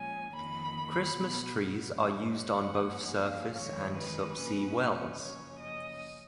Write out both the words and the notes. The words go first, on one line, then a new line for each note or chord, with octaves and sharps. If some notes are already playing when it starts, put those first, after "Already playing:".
Christmas trees are used on both surface and subsea wells.
Already playing: A#2 F3 G#3 C#4 G#5
F2 D#3 A#3 B5
B2 F#3 B3
F#2 F3 G#3 C#4
F#5
F#2 F3 A#3 C#4
F5
F2 D#3 G#3 C#5
B4
A#2 F#3 C#4
F#2 C#3 F3 A#3 C#4 C#5
D#5